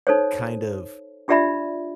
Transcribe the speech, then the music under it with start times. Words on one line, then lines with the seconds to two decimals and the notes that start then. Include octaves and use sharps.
kind of
0.07 D#4 A4 C5 C#5
1.28 D4 F4 G4 D5 E5 B5